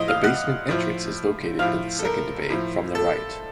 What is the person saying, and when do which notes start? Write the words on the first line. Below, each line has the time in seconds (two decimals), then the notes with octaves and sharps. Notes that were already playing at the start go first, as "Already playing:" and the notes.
The basement entrance is located in the second bay from the right.
Already playing: A2 F3 D#5
0.08 F5
0.24 F#5
0.69 A2 F3
1.59 F3 F5
1.62 A2
1.99 A4
2.05 A#4
2.50 A2 F3
2.95 A4